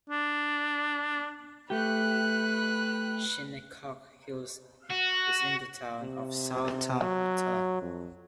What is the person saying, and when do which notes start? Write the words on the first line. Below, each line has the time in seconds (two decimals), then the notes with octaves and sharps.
Shinnecock Hills is in the Town of Southampton.
0.10 D4
1.70 A3 G4 B4 F#6
4.90 F#4
6.02 C3
7.02 F#3
7.82 F2